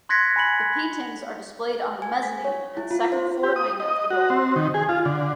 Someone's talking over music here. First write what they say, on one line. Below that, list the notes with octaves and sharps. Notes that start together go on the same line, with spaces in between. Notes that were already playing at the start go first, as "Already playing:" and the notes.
The paintings are displayed on the mezzanine and second floor wing of the building.
C6 F#6 G#6 A#6 B6 C#7
G#5 B5 C#7 F#7
G#5
B6
C#5
E4
F4
C5
G4
D#6
D#5
F#4
C4
D#3
G#4
F4
D3